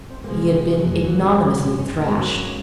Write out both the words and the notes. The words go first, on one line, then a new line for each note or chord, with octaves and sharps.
He had been ignominiously thrashed!
C4
A#3
C3 F3 G#3
C3 D#3
C3 F3
F#3
F2
G#3
G#2 F#3 A#3
C#4
F3 F#3 G#3
G#2
G#2 C#4
C4
G#2 A#3
G#3 C4
F#3 A#3 C#4
G#2